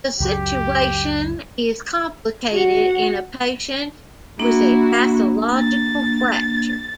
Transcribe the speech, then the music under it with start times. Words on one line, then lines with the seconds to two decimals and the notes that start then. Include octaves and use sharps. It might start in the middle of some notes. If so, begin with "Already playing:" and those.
The situation is complicated in a patient with a pathological fracture.
0.20 C#2 F#2 F#3 G4
2.52 F#4 F#5
4.39 A#3 D4 E4 F#4
5.56 A6